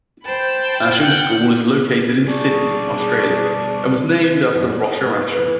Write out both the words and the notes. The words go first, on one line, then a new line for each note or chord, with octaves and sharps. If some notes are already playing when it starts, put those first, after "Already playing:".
Ascham School is located in Sydney, Australia, and was named after Roger Ascham.
C5 G5 A5 B5
F#5 G5 F6 F#6
B2 G3 D4 G#4 D5 C#6
F#2
D5
D#5
G#2
B3
B4
E3